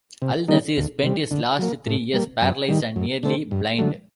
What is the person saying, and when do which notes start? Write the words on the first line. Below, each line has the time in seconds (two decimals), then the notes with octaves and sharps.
Al-Nasir spent his last three years paralysed and nearly blind.
0.22 C3
0.48 D#3 G3 A#3 D#4
0.77 D2
1.03 C3 G3
1.31 D3
1.59 F#3 A#3
1.87 A2
2.14 G3 A#3
2.42 F#2
2.68 D#3 G3
2.96 F#2
3.23 D3 A3 C4
3.51 G2
3.78 D3 F#3 A3